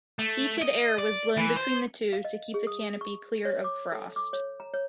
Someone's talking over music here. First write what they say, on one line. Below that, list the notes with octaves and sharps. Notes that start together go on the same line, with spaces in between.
Heated air was blown between the two to keep the canopy clear of frost.
A3
D#5
D5
E3
C5
F5
D#5
G#4
D#6
C#6
C#5
D6
A4
D6
C#5
A#5
C#5